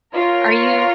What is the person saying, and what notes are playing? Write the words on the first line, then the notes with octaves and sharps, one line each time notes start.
Are you
F4 A#4 C#5